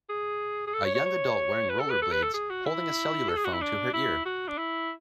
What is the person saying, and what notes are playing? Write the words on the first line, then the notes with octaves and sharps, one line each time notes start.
A young adult wearing rollerblades, holding a cellular phone to her ear.
G#4
G#4
A4
C#5
C#5
C#5
B4
A4
B4
A4
B4
A4
G#4
F#4
E4
A4
G#4
F#4
E4
D4
E4
F#4
D4
E4